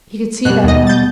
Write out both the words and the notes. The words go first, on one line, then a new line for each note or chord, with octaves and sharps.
He could see that now.
B2 G3 F#6
D#2 D#5
G6 A6